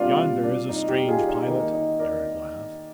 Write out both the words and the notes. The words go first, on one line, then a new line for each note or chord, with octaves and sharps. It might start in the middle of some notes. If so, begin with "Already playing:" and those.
"Yonder is a strange pilot," Eric laughed.
Already playing: C3 G3 A#3 D4 F4
D4
D#4
D#4 G4
F4 G#4
D#4
D#3 A#3 D#4
D#4
A#4 D5